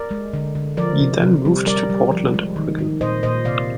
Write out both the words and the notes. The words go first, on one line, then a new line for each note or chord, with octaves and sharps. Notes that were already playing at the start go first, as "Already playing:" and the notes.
He then moved to Portland, Oregon.
Already playing: A#4 D5
G#3
D3
D3
F3 A#4 D5
C3
C3
G3
G3 A#4 D5
G3
F3
G#3
D#3
D#3
A#2 C5 D#5
A#2 C5 D#5
C3 D5 F5